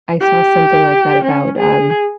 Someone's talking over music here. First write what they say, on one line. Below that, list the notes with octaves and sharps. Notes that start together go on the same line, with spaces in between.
I saw something like that about, um
G4
C#4
G#4